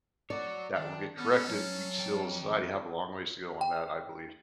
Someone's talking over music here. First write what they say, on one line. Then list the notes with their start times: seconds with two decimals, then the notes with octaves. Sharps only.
that will get corrected. We still society have a long ways to go on that, I believe.
0.30 F#4 C#5 D5
0.76 D#3 D4
1.17 B3 C#4 F4 A4
1.49 F#3
1.98 F2 G5
2.41 D#3
3.61 G5